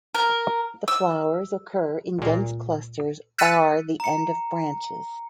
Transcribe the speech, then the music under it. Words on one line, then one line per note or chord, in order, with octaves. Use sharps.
The flowers occur in dense clusters are the end of branches.
A#4
E6
C#2 A#2
E6 F#6 A6 B6 C#7 D#7
A#5 C#7